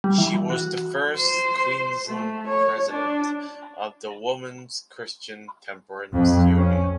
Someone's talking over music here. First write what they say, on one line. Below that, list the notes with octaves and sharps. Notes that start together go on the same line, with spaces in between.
She was the first Queensland president of the Woman’s Christian Temperance Union.
G3
E3
F#4
C5
A3
C#5
D4
F2
C#4